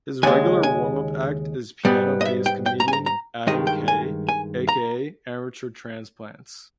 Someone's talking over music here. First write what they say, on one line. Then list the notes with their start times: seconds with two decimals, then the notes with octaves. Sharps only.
His regular warm-up act is piano-based comedian Adam Kay, aka Amateur Transplants.
0.23 D#2 C#3 G#3 G#5
0.63 G#5
1.85 G#2 G3 B3
2.21 D#5
2.25 E5
2.46 G5
2.66 G5
2.80 A#5
2.88 G#5
2.93 A#5
3.06 A#5
3.47 G2 D#3 G#3 D#5
3.67 G5
3.88 G#5
4.29 G#5
4.69 A#5